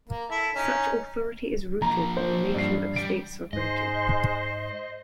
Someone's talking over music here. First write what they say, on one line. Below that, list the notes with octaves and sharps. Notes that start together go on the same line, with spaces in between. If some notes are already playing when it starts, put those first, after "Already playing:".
Such authority is rooted in the notion of state sovereignty.
A#3
E4 A4 E5
C#4 D#4
F3 A#3 A#5
C5
G2 C7
G3 D7
G#2 G#3 C5 D#5